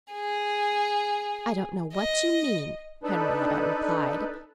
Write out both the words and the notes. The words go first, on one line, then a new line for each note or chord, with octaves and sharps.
"I don't know what you mean," Henrietta replied.
G#4
D#5
D4 D#4 A4 B4